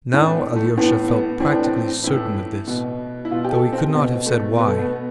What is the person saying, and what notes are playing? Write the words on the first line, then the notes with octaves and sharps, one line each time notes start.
Now Alyosha felt practically certain of this, though he could not have said why.
A2 E3 D4
B3
A3
A2 E3 B3
B3
A2 E3 C4
D4
C4
A2 E3 E4
B2
E4
B2 F4
G4
A4
C4
B2
A3
B2 B3
A3
B3